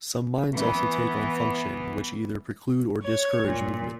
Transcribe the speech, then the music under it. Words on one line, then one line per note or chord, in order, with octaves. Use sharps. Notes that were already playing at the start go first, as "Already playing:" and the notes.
Some Minds also take on functions which either preclude or discourage movement.
E3 B3
C#5
A#2